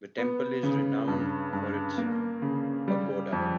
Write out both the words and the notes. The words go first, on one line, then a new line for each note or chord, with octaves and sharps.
The temple is renowned for its pagoda.
B3
C#3
G2
G2
A#3
C#3
G3
F2